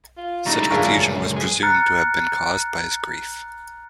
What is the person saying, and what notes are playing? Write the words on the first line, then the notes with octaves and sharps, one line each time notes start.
Such confusion was presumed to have been caused by his grief.
F4
C#3 G3 A3 D#4 E4 A#5
C#2 F#2 D3 A3 D4 F4 G#4 A#4
G#3 G#4
A#5 F6 F#6 A6 C#7